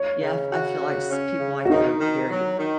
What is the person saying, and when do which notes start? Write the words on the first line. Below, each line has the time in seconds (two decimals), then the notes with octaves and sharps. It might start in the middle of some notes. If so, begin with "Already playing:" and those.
Yeah, f I feel, like, s people like that are very
Already playing: C#5
0.21 C#3
0.50 F#4
0.80 C#3
1.10 C#4
1.40 C#3
1.65 F#4
1.69 D#3 D#4
2.00 D#3
2.30 F#3
2.59 D#3